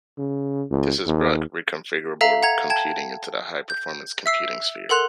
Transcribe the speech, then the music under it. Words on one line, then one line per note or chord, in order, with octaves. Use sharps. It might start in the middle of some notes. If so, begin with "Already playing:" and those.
This has brought reconfigurable computing into the high-performance computing sphere.
C#3
C#2
D#2
A4 E5 F5 A#5
F#5 A#5 G#6 F7
G5 A5 G#6
G6
E5 E6 C7
A4 A#4 F#5 C6 F#6 F7